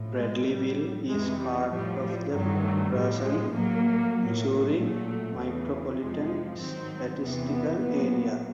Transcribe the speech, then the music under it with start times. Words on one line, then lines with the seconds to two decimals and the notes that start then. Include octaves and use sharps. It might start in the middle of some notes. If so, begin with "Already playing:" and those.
Bradleyville is part of the Branson, Missouri Micropolitan Statistical Area.
Already playing: A2 F3
0.17 G#3
0.48 A2 F#3 G3
1.09 F2 C3 E3 G#3
1.40 G3
1.70 A2 F3 G3
2.00 G3
2.31 G2 D#3 F#3
2.63 A3
2.92 A2 F3 G3
3.23 G#3
3.53 A2 F#3 A#3
4.15 A2 F#3
4.76 A#2 F#3 A3
5.37 E2 C#3 E3
5.98 F2 C3 F3 G#3
6.59 G#2 D#3 F#3 C4
7.20 E2 C3 E3 B3
7.50 B3
7.81 A#2 F#3 B3